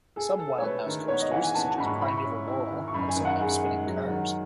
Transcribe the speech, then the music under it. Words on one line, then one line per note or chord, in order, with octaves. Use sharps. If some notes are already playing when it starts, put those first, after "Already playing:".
Some wild mouse coasters, such as Primeval Whirl, also have spinning cars.
G#4 A4
A4
C#5
A3 B4
D#3
B3 C#5
D#5
E3 F#5
G#5
B3 A5
A5
G#2 B5
C#6
E4 B5
C#6
B5
C#4
E4
D#3
C#6
F#2 B5
G#5
D#3
F#5
F#2 G#4
G#3
F#3
D#3